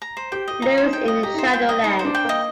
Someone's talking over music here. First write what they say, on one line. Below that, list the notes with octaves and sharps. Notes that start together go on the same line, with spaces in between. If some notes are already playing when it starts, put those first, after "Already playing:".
Lewis in "Shadowlands".
A#5
C5
G4 G5
G4 D#5
F4 A#5
C5
D#4
G5
F4 D#5
G4 A#5
D#4 C5
F4
G5
D#5
D#4 A#5
C5
D4
G5
A#3 D#5